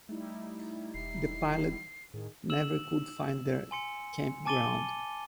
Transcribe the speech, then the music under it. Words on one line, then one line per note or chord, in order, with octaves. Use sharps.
The pilot never could find their campground.
G3 A3 D#4 E4
E1 C7
A2 D#3 G#4
E6 E7 F#7
G#5 C6 C#7
G#5 A5 D6 A6 D#7 G7